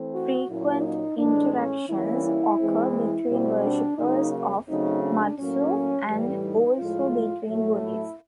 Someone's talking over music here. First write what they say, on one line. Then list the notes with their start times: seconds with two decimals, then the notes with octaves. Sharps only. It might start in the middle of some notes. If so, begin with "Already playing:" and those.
Frequent interactions occur between worshipers of Matsu, and also between Buddhists.
Already playing: E3 A3 C4
0.14 F#4
0.49 A#2 F#3 A#3 C#4 E4
0.84 D#4
1.18 A2 E3 G#3 D4
1.54 C#4
1.89 E3 G3 A#3 C#4 E4
2.24 E4
2.59 E3 G#3 C4
2.94 E4
3.28 B2 G3 C4
3.63 D4
3.98 C#3 F#3 A#3 D#4
4.68 C#3 F#3 A3 C4 D#4
5.03 D4
5.38 A2 F#3 A#3 C#4
6.08 A2 E3 G3
6.43 D#4
6.78 A2 F3 G#3 F4
7.48 A2 F#3 A3
7.82 E4